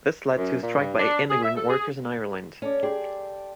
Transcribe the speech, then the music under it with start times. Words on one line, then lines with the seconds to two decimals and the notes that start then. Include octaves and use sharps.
This led to a strike by immigrant workers in Ireland.
0.36 F#2
0.62 A#2
0.77 G2
0.99 D4
1.29 G#4
1.42 E5
1.56 A4
1.69 G#4
2.62 C#4 A4 D5
2.83 G4 G#4 D5 C6